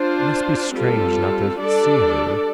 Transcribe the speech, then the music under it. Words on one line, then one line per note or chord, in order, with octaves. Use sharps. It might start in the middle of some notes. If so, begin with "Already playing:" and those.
Must be strange not to see her.
Already playing: D4 F4 C5
G3 C4 F4 A4
G3 D4 A4 D5